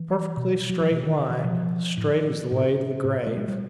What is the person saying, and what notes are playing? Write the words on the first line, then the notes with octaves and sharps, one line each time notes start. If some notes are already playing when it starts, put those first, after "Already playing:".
Perfectly straight line-straight as the way to the grave.
Already playing: E3
B2
F#3
F3
B2 E3
D#3
D#3
E3
B2 F3
A2
A2
A2
A3
G#3
G3